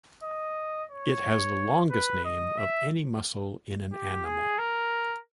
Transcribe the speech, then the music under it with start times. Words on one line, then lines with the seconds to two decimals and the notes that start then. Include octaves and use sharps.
It has the longest name of any muscle in an animal.
0.23 D#5
0.92 C#5
1.91 B4
2.25 D#5
2.58 E5
3.93 G4
4.26 G#4
4.59 A#4